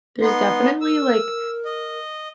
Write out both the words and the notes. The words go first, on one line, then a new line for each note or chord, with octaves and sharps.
There's definitely, like,
B3 D#4 C6
A#4 E6
D#5